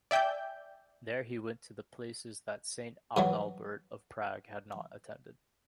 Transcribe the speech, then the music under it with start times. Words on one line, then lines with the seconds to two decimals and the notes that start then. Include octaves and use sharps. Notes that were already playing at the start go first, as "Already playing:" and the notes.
There he went to the places that Saint Adalbert of Prague had attended.
0.11 D5 E5 G5 G#5 G6
3.17 G2 E3 F#3